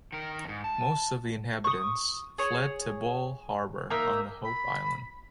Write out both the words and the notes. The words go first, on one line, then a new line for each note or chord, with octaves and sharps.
Most of the inhabitants fled to Bull Harbour on Hope Island.
D#3 A#4
F2 G#2
A5
C#6 D#6
G#4 C#5
A#3 D#4 A#4 E5
B5